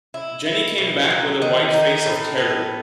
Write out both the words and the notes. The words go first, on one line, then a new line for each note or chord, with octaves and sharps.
Jenny came back with a white face of terror.
E4
E4
B2
F#3
D#3
D#4
A2
B3